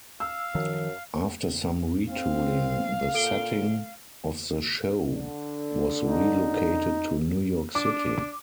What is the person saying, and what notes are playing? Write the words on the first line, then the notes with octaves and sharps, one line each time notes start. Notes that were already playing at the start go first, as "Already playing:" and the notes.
After some retooling, the setting of the show was relocated to New York City.
F5 E6
F#2 D#3 F3
C4 F5
A#2 A4 D7 G7
D3
D#4
D4 D6